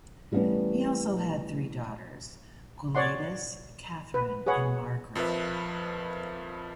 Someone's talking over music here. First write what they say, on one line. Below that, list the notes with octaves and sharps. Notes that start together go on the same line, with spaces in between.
He also had three daughters, Gwladus, Catherine and Margred.
E3 G3 A3 B3 C#4
C#5 D5 F#5 C6
B4
G#4 B4 C#5 F#5
F2 F3 A#4 B4 E5